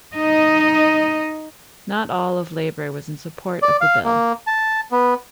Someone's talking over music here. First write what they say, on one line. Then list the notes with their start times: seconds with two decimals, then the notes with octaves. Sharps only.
Not all of Labor was in support of the bill.
0.16 D#4 D#5
3.62 D5
3.81 F5
4.04 A#3
4.47 A5
4.92 B3